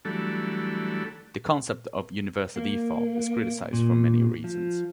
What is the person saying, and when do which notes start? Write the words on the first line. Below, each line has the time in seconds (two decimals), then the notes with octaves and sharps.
The concept of universal default is criticized for many reasons.
0.05 E3 F#3 G3 A3 D4 A4
2.56 A#3
3.73 A#2
4.44 F3